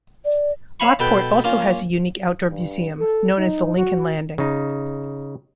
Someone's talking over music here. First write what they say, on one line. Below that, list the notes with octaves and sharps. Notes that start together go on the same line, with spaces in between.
Lockport also has a unique outdoor museum known as the Lincoln Landing.
D5
C#5 E5 F5 G#5 B5 C#6
B2 A4 B4 G5
A#3 C#4 F4
G2
A4
D#4
F#4
C#3 D#4